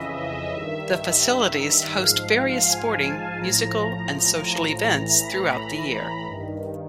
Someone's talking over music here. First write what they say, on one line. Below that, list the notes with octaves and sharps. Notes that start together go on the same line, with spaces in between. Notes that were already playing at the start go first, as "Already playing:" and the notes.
The facilities host various sporting, musical and social events throughout the year.
Already playing: F2 C#3 E3 D#5 E5
D#5
G2 D#3 E5
G#2 F3 F5
G#5
A5
A2 F3 A#5
A2 E3 A#5
B5
G2 D#3